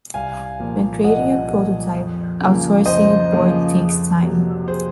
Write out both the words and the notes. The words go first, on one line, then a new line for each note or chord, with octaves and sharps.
When creating a prototype, outsourcing a board takes time.
C2 F5 G#5
A#2 F3 A#3
C2 D#5 F#5
A#2 F3 A#3
F2
C#3 F3 A#3
F2 C5 D#5
C#3 F3 A#3
F2
C3 F#3 A#3
G#4 C5